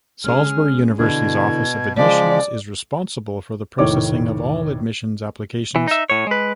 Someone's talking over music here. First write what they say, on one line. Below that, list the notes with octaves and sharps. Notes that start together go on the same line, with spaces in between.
Salisbury University's Office of Admissions is responsible for the processing of all admissions applications.
G#3 C#4 G#4 F6
B2 D3 E3 D4 G#6
C#3 F3 G#3 D5 B6
F1 A2 D#3 C#5 D6
E3
D#4 E5
A2 C#5
G#3 B4